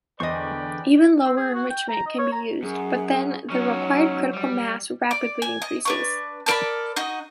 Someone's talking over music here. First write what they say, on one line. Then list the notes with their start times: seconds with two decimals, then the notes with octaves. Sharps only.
Even lower enrichment can be used, but then the required critical mass rapidly increases.
0.20 E2 D3 B4 C5 D5 D#5 G5 C#6
1.25 C4
1.37 G#4
1.54 F#4
1.70 G5
1.89 A#5
2.06 D#5
2.19 C#5
2.32 A#5
2.63 F#2 G#4
3.50 F#3 C#4 D#4
4.33 G3
5.11 D5
5.42 G#5
5.62 D#5
5.85 D4 B4 C#6
6.46 A4 A#4 D5 B5
6.96 D#4 F#4 D#5